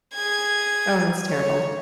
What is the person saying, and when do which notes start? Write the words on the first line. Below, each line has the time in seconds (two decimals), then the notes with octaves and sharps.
Oh, that's terrible.
0.14 G#4 G#6
1.30 C#5